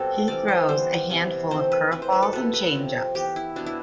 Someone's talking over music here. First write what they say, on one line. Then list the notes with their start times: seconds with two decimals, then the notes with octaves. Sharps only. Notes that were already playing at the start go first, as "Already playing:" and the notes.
He throws a handful of curveballs and changeups.
Already playing: B2 G3 C4 A4
0.28 E3 G3 C4 D5
0.48 C5
0.69 E3 G3 B3 C5
1.09 C3 E3 G3 B3
1.51 E3 A3 C4 C5
1.72 B4
1.91 E3 A3 C4 B4
2.02 C5
2.12 B4
2.23 A4
2.33 B2 B3 B4
2.54 B4
2.74 C3 F3 C4
3.15 E3 B3 G4
3.36 E4
3.56 B2 B3 D4
3.66 E4